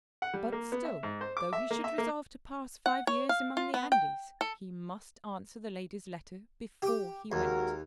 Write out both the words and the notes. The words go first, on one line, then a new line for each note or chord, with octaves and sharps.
But still, though he should resolve to pass five years among the Andes, he must answer the lady's letter before he went.
F#5
G3
A#3
B3
E5
G#2
C5
D6
E5
A#3
E5
A#3
F#5
C#5
F5
F4
B3
G5
A4
G4 D6
D#2 G#3 F#4 A#4